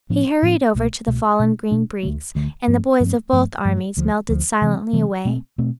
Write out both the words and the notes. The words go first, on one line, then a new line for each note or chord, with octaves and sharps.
He hurried over to the fallen Green Breeks, and the boys of both armies melted silently away.
A2 F3 B3 D4
A2 F3 B3 D4
C2 B2 A3
C2 B2 A3
B2 A3 D4
B2 A3 D4
D2 D3 A3
D2 D3 A3
G2 F3 A3 C4
G2 F3 A3 C4
G2 F3 A3
G2 F3 A3
D2 D3 F3
D2 D3 F3
C3 E3 G3 C4
C3 E3 G3 C4
B2 A3 C4
B2 A3 C4